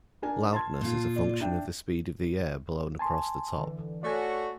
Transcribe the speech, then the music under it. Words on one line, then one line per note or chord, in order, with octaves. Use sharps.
Loudness is a function of the speed of the air blown across the top.
D4 A#4 G#5
A5 C6 G#6
A#2 F4
D5
D4 E4 G5
G#5 A5 C6
D3 E3
A3 F#4 C#5 D5 G#5